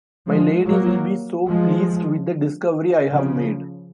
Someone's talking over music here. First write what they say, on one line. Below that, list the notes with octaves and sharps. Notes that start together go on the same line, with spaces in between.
My lady will be so pleased with the discovery I have made.
F3 G#3
F#3 A#3
F3 G#3
C#3 F3